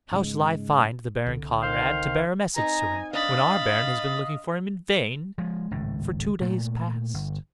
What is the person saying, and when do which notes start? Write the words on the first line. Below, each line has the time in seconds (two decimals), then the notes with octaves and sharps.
"How shall I find the Baron Conrad to bear a message to him, when our Baron has been looking for him in vain for two days past?"
0.11 G#2 C#3 G#3
1.27 C2 D3
1.62 D#3 C5 F5
2.56 C4 D#4 G#5 A#5
3.13 D4 D#5 F5 B5 A6
5.38 F3 G#3
5.71 G#1 C#2 A2
6.41 A#2 A3
7.14 G1